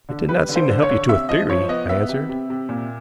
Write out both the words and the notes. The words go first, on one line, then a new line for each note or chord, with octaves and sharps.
"It did not seem to help you to a theory," I answered.
D3
G3 B4
D3
C5
D3
C#5
D3
C3 E5
F3 D#5
F3 C#5
B3 D#5
B3 E5
C3
C3
C3
A#2